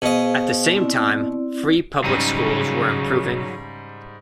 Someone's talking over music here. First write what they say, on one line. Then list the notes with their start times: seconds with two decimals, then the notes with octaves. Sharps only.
At the same time, free public schools were improving.
0.02 B2 G#4 C5 D#5 F5
0.76 C4 E4 D5
2.04 G#2 C#3 F#3 G3 D#4 D#7